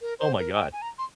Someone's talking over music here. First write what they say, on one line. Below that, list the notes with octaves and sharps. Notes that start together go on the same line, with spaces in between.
Oh, my god,
A#4
C5
A#4
G5
G#5
A#5
C6